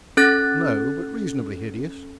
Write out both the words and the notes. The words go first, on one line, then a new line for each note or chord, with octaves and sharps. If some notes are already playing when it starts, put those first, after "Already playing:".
"No, but reasonably hideous."
C#4 A4 F#6 A6